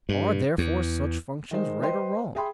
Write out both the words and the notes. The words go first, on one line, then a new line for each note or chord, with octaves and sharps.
Are, therefore, such functions right or wrong?
G2
E2
D#3 G#3 D#4 C5
B4 C5 D#5 G5 C6
G#4 E5 G5 B5 C6